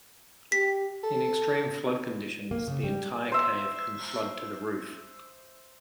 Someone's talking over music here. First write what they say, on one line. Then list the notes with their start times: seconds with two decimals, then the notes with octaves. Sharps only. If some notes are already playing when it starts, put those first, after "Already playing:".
In extreme flood conditions the entire cave can flood to the roof.
0.52 G4 B6
1.03 A4
2.51 A#3
2.67 C#3
2.84 G3
3.32 C5 E5